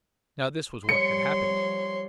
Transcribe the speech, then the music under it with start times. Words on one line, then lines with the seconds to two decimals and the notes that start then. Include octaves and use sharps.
Now this was what had happened.
0.89 F3 G3 C#5 C6 C#7